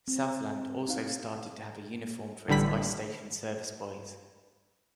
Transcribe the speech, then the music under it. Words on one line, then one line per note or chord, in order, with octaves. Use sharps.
Southland also started to have a uniform for its ice station service boys.
C4
C4 D#4 F5
A1 D3 G3 B5 B6